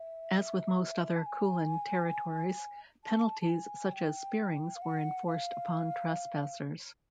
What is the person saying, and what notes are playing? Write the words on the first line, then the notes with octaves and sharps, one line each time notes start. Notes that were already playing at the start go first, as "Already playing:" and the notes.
As with most other Kulin territories, penalties such as spearings were enforced upon trespassers.
Already playing: E5
A5
G#5
A5
A5
G#5
G5
F5
F#5
F5